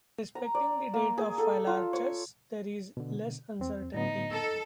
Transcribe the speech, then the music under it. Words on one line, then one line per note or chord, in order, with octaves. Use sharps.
Respecting the date of Phylarchus there is less uncertainty.
A#5
D5
A#3
G#4
A4
F4
C#5
B2 D3
E2 C4
A2 D3 B3 D#4
A4